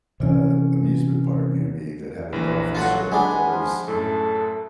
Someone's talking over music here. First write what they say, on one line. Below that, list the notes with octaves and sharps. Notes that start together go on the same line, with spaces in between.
uh, amusement park near me that had a dolphin show that was,
C3 E3 C#4
A#1 E3 A#6
F#3 F4 A4 F#5
G#3 D4 F#5 G#5 B5
F3
F#2 A2 A4